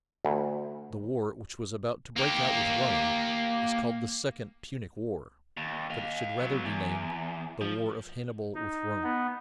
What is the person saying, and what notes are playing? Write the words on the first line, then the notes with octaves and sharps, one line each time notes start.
The war which was about to break out with Rome is called the second Punic war, but it should rather be named the war of Hannibal with Rome.
D2
A#3 G4
D#2
D#5 F5
F#3 B3
E2
F3
D#4
B3